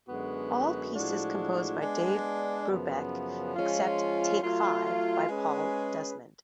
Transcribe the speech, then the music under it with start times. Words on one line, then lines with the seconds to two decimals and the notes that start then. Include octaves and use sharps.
All pieces composed by Dave Brubeck, except "Take Five" by Paul Desmond.
0.08 F#2 D3 G#3 B3 F#4
0.94 A2 F3 G#3 D4 F#4
1.82 G#3 B3 D4
2.68 F#2 C#3 F3 B3
3.55 F3 G#3 C#4 F4
4.42 F#3 A3 F4
5.29 G#3 C#4 G#4 B4